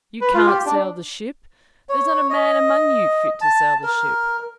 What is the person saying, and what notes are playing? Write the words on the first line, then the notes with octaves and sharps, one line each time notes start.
You can't sail the ship--there's not a man among you fit to sail the ship.
B4
F4
G4
D4
C#5
D#5
A5
A#4